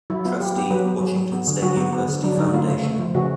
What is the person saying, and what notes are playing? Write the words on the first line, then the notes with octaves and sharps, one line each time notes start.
Trustee, Washington State University Foundation.
F#3 E4
B3 F4
F#3 G4
B3 G4
F#3 B4
B3
F#3
F#3
B3
D3
F#3 F#4
B3
B3
D3
F#3 D4
D3 D#4
A3 F4
C#3
A3
F3
C#3 F#4